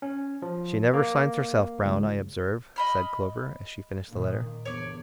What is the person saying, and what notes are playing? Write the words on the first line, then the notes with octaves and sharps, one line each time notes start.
"She never signs herself Browne, I observe," said Clover, as she finished the letter.
C#4
F3
A#3
C#2
D#5 B5 F6
A#2 D#3
G1 E2 C#5 D5